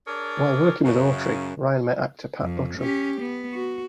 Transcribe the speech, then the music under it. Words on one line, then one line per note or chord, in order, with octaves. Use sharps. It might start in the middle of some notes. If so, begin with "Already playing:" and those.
While working with Autry, Ryan met actor Pat Buttram.
D4 G#4 A#4 C#5 D5
F#2 C#3
F2
C#4 G4
B3
F#4